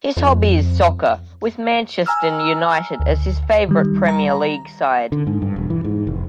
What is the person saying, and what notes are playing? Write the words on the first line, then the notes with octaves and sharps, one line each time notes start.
His hobby is soccer, with Manchester United as his favourite Premier league side.
F2
G#5 A#5 E6 F6
D2
D#3 G3
A#5
D3
G#2
G2
E1
E3
G#2
F1